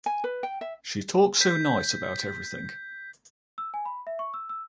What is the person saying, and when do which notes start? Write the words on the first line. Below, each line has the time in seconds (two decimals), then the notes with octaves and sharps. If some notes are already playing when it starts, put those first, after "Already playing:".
She talked so nice about everything.
0.06 G#5
0.24 B4
0.43 G5
0.61 E5
1.41 G6 B6
3.58 E6
3.74 G#5
3.85 B5
4.07 E5
4.19 C#6
4.34 E6
4.49 E6